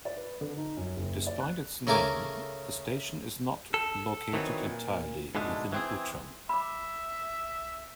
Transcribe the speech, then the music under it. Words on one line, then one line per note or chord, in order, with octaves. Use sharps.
Despite its name, the station is not located entirely within Outram.
D5
B4
D3
D#4
F#2
F#1
D5
F#6
C#3 A3 A#4 G#5 A#5 D6
A4
D#3 E3 F#3 G3 B3 C4
A#2
G#2 B2 D3 G#3 A3
E3 C4 G#4
E5 B5 D6